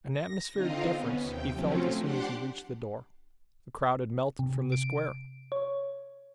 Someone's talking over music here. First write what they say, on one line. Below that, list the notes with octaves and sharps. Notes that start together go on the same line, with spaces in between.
An atmospheric difference he felt as soon as he reached the door. The crowd had melted from the square.
A#6
D3 C4 D#4 F4 D#5 F5
B3 C#4
D#2 C3 G5
F3 F#3 A3 C4 C#4 F4
D4 G4 F#5 C6 D6
C3
D7
C#5